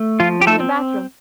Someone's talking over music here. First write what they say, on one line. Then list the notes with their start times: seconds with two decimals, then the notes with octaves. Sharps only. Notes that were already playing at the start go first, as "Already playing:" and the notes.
Look in the bathroom!
Already playing: A3
0.20 F3 F4
0.41 G4
0.47 A3 A4
0.60 C4